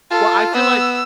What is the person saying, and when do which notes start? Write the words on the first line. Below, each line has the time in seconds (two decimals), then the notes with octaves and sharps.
Well, I feel like
0.11 F4 A4
0.55 B3 E6